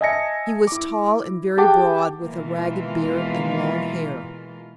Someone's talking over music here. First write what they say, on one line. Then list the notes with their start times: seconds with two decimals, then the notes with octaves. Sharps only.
He was tall and very broad, with a ragged beard and long hair.
0.01 D#5 E5 G#5 A5 A#6 C#7
0.67 E4 D6
1.57 G4 G#4 F#5 G5 A5 D6
2.22 B2 E3 G#3 A#3 F4